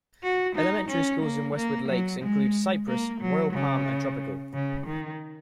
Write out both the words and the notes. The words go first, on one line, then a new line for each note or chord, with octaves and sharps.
Elementary schools in Westwood Lakes include Cypress, Royal Palm, and Tropical.
F#4
D#4
C#4
A#3
A#3
F#3
G#3
A#3
F#3
C#3
C#3
D#3